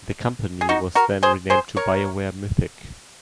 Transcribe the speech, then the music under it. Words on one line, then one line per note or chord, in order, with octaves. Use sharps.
The company was then renamed to BioWare Mythic.
G#4
D#4 F#4
F#4 A#4
G#4 C5
G#4 C5
A#4 C#5